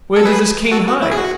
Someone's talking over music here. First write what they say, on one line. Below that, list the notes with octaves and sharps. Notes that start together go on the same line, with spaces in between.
Where does this Kane hide?
A4
G#4 B4
F#4 A4
F#4
E4
G#4
F#4